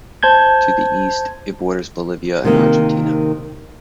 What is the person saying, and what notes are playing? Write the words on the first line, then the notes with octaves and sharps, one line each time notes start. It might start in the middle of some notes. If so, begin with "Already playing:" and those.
To the east it borders Bolivia and Argentina.
C5 A5 G6 G#6
C3 D#3 A#3